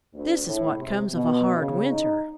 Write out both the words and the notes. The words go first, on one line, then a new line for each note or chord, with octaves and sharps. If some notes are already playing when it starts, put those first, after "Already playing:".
"This is what comes of a hard winter."
D2
A2
C3
B2
C#3
D#4